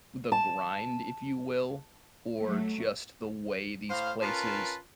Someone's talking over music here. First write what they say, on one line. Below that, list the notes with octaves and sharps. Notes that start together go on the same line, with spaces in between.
the grind, if you will, or just the way these places,
A5
F#3 A3
A2 C5 F5
C#4 F4 A#4 B4 A5